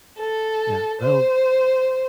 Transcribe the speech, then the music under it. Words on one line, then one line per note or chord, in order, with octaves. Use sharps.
Yeah, well
A4
C5